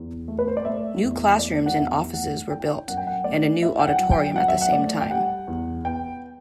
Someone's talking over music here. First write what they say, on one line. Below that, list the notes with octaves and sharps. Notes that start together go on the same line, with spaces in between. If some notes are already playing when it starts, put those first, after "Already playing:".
New classrooms and offices were built, and a new auditorium at the same time.
Already playing: E2
A3
B4
C5
D5
A3 E5
E2
A3 D5
F#5
E2 E5
A3 F#5
E4 G5
F#2 F#5
G5
F#5
A3 D5
E4 E5
G5
F#5
F#3
G5
F#3 F#5
E5
F#5
A3 D5
G5
G3 F#5
E2
B3 G5